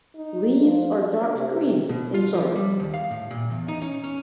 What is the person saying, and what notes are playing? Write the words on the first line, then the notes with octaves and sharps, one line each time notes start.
Leaves are dark green in summer.
D#4
F3
D4
C3
B2
F4
F3
G3
D#2
F5
A2
A#2
E2
D#4
C#4
C#4